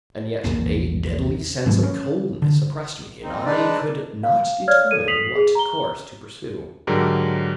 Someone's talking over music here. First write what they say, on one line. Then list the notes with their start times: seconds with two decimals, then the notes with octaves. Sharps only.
And yet, a deadly sense of coldness oppressed me and I could not determine what course to pursue.
0.44 E1 A#1 E2 A#3
1.66 G#2 D#3 F#3 A3
1.83 C#4
2.42 D3
3.23 A#2 C4 D#4
3.46 G#3 D4 D#4 B4 D5
4.23 F5
4.68 C#5 D5 F5 F6 G#6
4.91 A4 D#7
5.08 D#6 B6 C7 F7 F#7
5.36 G#4
5.55 A#5 G7
6.87 G#2 D3 F#3 G4 A#4